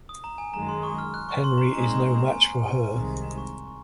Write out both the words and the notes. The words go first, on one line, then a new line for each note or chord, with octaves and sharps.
Henry is no match for her.
D#6
A#5
G#5
F#2 D#3 G#3 A#5
C6
C#6
F6
F#6
C#6
C6
A#5
A#2 G#3 C4 D#4 G#4 A#5
C6
A#5
C6
A#5
G#5
C2 C3 D#3 G#3
A#5
C#6
C#6